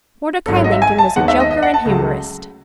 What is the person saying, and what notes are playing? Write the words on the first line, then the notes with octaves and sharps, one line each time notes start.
Mordecai Lincoln was a joker and humorist.
G#1 G#2 F#3 A4
C#5
D#5
E5
G#5
A5
D#2 D#3 G#3 B3 F#5
E5
D#5
D#5
F#5
A5
C#2 C#3 F#3 A3